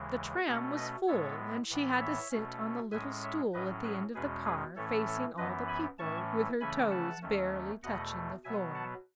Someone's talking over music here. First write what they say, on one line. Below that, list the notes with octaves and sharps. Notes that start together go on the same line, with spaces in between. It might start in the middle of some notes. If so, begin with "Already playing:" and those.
The tram was full and she had to sit on the little stool at the end of the car, facing all the people, with her toes barely touching the floor.
Already playing: D#2 C#3 E3 G#3
B2 A3 C#4 D#5 F#5
B4 D#5
A2 G#3 B3 A4 C#5
A2 E3 B3
C#5 E5
B2 A3 C#4
A2 G#3 C#4 E5 G#5
C#5 E5
A2 F#3 C#4 B4 D#5
G#4 B4
E2 B2 G#3 C#4 G#4 B4
G#4 B4
A2 E3 A3 C#4 A4 C#5
A4 C#5
F#2 E3 B3 B4 D#5
G#5 B5
A2 E3 A3 C#4 A5 C#6
C#3 E3 A3 C#4 G#5 B5
F#5 A5
D#2 D#3 A3 C#4
E2 B2 A3 D#5 F#5
B2 F#3 B3 E5 G#5
F#5 A5